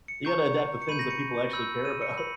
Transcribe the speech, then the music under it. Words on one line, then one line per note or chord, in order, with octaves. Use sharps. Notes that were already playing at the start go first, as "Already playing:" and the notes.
you gotta adapt the things that people actually care about.
C#7
A#5 C#6 G6
C#7
B5 G6 D#7
A#6
C#7
B5 E6 G6
D#7
C#7
B5